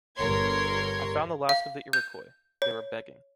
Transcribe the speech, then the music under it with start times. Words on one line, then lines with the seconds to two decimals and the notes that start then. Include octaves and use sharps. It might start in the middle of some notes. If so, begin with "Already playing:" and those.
I found the last of the Iroquois. They were begging.
0.17 G1 A#4 C#5 C6 G#6
1.49 F5
1.93 G6
2.62 C#5